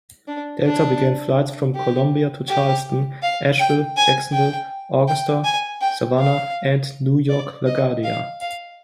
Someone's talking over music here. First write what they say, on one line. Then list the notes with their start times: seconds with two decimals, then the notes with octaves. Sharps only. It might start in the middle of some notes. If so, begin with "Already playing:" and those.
Delta began flights from Columbia to Charleston, Asheville, Jacksonville, Augusta, Savannah and New York-LaGuardia.
0.27 D4
0.65 D4
1.75 G4
2.49 G4
3.23 F5
3.60 G5
3.97 G#5
4.33 G5
5.08 G5
5.44 G#5
5.81 G5
6.19 F5
7.29 D5
7.67 D#5
8.04 F5
8.41 F5